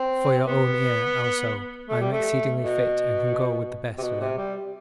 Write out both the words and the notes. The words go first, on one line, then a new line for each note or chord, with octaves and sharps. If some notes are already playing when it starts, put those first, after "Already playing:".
'For your own ear also, I am exceedingly fit and can go with the best of them.
Already playing: C4
B3
A3
G3
A3
B2
C3
B2
C3
G3